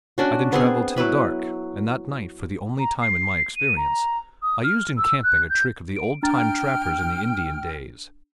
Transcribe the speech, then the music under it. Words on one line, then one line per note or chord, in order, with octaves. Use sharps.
I then traveled till dark, and that night, for the only time in my experience, I used in camping a trick of the old-time trappers in the Indian days.
C#4 D4 F#4
B3 C4 G#4
F#3 E4 B4 B5
A#5
C7
D#7
A#5
D#6
F6
E6
F#6
G6
D7
D4 G5 A#5 F6 A6